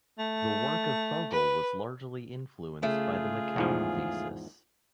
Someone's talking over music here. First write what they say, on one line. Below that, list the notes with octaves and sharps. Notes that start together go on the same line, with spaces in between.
The work of Fogel was largely influenced by the McKeown thesis.
A3
B4
C#3 A3 F4 G#4
E2 G#2 F3